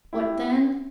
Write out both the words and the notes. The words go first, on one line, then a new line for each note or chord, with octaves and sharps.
What then?
E4 G4